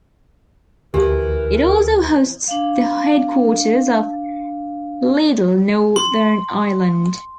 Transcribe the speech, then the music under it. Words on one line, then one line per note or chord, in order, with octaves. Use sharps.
It also hosts the headquarters of Lidl Northern Ireland.
D2 E3 G4 A#4
D4 F5
C6